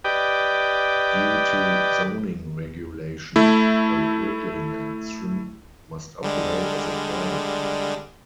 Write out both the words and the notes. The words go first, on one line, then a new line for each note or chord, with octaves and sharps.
Due to zoning regulation, The Wrigley Mansion must operate as a private club.
G4 B4 D5 D#5 G5
A3 E4
D3 G3 G#3